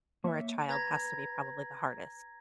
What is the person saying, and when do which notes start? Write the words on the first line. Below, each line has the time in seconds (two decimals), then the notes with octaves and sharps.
or a child has to be probably the hardest.
0.25 A#3 C#5 E5
0.69 B4 A#5 G#6 A#6